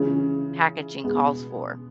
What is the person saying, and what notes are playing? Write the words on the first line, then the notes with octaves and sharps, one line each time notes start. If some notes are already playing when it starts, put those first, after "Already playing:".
packaging calls for.
Already playing: C#3 E3 G#3 C#4 F4
B2 G#3 B3